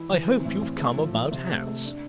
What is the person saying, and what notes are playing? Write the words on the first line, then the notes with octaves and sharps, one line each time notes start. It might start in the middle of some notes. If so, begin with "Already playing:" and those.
I hope you've come about hats.
Already playing: E3 E4
E3
C4
A2
A2
A3
F3
F3
C3
A3
A3
D4